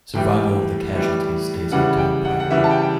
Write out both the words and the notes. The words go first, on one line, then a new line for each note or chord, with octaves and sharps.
Survival of the casualties stays our top priority!
A2 E3 G3 G5
A2 E3 G3
C#3 E3 G3 F#5
G5
F#5
F#5
C#3 E3 G3 E5
A5
G5
G5